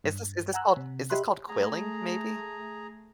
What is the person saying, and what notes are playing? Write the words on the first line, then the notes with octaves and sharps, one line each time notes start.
Is this is this called is this called quilling maybe?
G2
F#5 G#5 A#5 E6 F#6
C3
G4 D#5 E5 B5 C6 F#6
A3 G#4 A#5